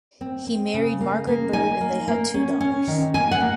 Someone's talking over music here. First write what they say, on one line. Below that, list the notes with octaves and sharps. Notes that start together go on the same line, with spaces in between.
He married Margaret Bird and they had two daughters.
C4
C4
C#3
A#3
A#3
D#4 G#5
A#3
A#3
C#4
C#4
D#3
A#3 G#5
F#5
A#3